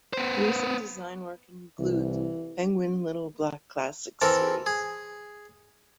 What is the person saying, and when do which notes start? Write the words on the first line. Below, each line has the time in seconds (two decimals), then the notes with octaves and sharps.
Recent design work includes the Penguin Little Black Classic series.
0.13 B3 C5
1.79 C2 E3
4.21 E3 C4 A4 A#4
4.66 G#4